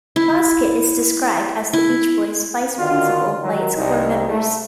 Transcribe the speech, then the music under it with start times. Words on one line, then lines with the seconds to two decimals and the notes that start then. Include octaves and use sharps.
Foskett is described as The Beach Boys' "vice principal" by its core members.
0.16 E4
1.73 E4
2.79 D3 D#3 F4 F#4
3.43 D#3 F#3
3.77 C2 D#4
4.29 A3